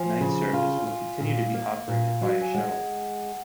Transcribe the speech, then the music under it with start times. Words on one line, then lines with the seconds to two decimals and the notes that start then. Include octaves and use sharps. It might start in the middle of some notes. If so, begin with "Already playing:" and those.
Night service would continue to be operated by a shuttle.
Already playing: F3 G#5
0.21 C#3
0.53 F4
0.87 F4
1.21 A#2 F5
1.54 A#3
1.88 A#2
2.21 F#3
2.41 G#5
2.54 G#3 F#5